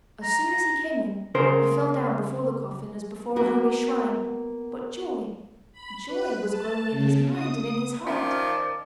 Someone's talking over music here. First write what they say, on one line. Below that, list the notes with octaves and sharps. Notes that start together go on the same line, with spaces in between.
As soon as he came in, he fell down before the coffin as before a holy shrine, but joy, joy was glowing in his mind and in his heart.
A#5
C#3 A#4 C5
A#3 B3 F#4 A#4
B5
B4
A5
C#3
D#6
D#3 F3 C#4 D5 E5